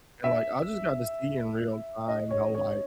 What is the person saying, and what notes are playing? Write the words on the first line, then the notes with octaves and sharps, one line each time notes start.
and, like, I just got to see in real time how, like
E5
D#5
C#5
C#5